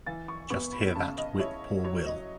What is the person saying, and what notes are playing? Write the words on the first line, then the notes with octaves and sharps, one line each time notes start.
Just hear that whip-poor-will.
E3 A6
C#6
B3 C#6
B5
C#3 A5
D#5
E4 C#5
F#3 C#5
D#5